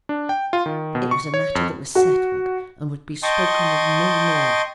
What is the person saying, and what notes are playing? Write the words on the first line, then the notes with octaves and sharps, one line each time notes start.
It was a matter that was settled, and would be spoken of no more.
D4
G5
F4
D#3
B2
C#6
C#5
F2
F#4
D#5 G5 A5 C6 C#6 D#6